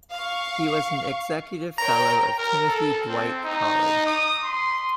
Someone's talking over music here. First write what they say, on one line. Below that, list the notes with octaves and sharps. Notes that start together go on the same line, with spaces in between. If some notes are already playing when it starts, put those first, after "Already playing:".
He was an executive fellow of Timothy Dwight College.
F5 C#6
A#4 C#5 G5 A#5
A#4
A4
C4
D#4
D#6
C6